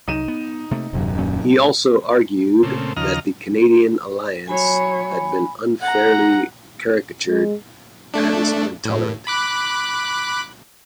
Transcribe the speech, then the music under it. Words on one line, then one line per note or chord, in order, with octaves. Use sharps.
He also argued that the Canadian Alliance had been unfairly caricatured as intolerant.
C2 F#3 D#4 D#7 E7
B3
C3 A3 A#3
D#1 F#2 C3
A#2 F#3 C#4
A#2 C#3 A3 C4
D#2 C#3 F3 D#5 A#5 F6
F#3 C#5 G#5 B5
F#5 A#5
G#3
A3 D4
A2
B5 D6 F#6